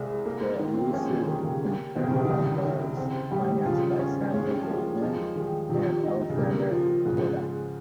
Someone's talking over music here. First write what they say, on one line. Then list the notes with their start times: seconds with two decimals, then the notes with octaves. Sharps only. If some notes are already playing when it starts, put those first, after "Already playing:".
"The Elusive Pimpernel" was financed by Samuel Goldwyn and Alexander Korda.
Already playing: C2 G#3
0.26 A#3
0.59 D#3
0.74 C4
0.84 A#3
0.93 F3 G#3 C#4
1.11 D#3 G3
1.27 C3 D#3 A#3
1.45 C#3
1.62 G4
1.95 D#3 C4
2.04 C#3
2.11 C3 D#3
2.25 D#3
2.29 C2 C#3
2.64 D#3
2.88 C3
2.97 C#3 C4
3.31 C3 D#3 G3
3.65 C#3 F3 F4
3.99 C#4
4.34 G#3 C#4
4.48 G3
4.62 F3 G#3
4.67 A#3
5.01 F3 G#3 D#4
5.35 D#3 G3 G#3
5.69 C3 D#3 F3
6.03 D#4
6.29 C#3
6.38 C3 A#3
6.71 F3
7.05 G#2 C#3
7.40 G#3